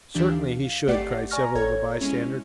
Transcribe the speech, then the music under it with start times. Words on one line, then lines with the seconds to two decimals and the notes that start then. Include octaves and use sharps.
"Certainly he should!" cried several of the bystanders.
0.14 D2 E3 D4 G4
0.31 F5
0.87 G#1 A3 G4 D5 F#5 C7
1.31 D5 G#5 A#5 C#6 F6 A#6
1.55 G#1 A4 C#5 A#5 G#6
1.99 G#3 C#4 E4